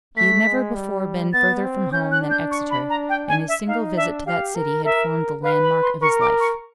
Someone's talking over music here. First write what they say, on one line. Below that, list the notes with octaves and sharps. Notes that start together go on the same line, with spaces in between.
He had never before been further from home than Exeter; and his single visit to that city had formed the landmark of his life.
A3 B6
G#3
G3
B3 A6
C4
C#4 G6
F#6
D4
G6
C#6
B5
A#5
G5
G#5
E5
D#4 F5
D4 E5
G4 F5
A#4
A#4 E5
B4 F5
B5
C6
A#4 C#6
D6
C#6